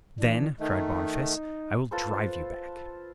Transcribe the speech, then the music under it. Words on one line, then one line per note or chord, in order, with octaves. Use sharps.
"Then," cried Boniface, "I will drive you back."
E3 D4
D#3 A3 D#4
F4 A4 B4 C5